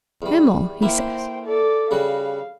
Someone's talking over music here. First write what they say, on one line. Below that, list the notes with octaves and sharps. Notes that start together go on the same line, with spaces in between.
"Himmel!" he says.
E2 G3
A#3 E4 C5 G5
A4 D5
C#3 G3 F#4 F5